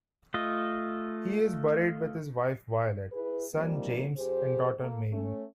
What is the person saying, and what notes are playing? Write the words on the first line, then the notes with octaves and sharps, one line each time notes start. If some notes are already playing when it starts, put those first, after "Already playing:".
He is buried with his wife Violet, son James and daughter Mary.
A3 F4 D#5
E4 G#4 B4
D#3 F3 G3 A#3 C4
F2 G4 G#4 C5
A#3 A4
A3 C#4